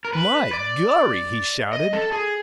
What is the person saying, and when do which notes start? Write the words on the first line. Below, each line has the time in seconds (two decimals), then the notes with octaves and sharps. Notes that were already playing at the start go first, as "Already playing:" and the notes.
"My gorry!" he shouted.
0.05 A#4
0.13 B4
0.53 D5
1.73 D#5
1.93 A4
2.12 G#4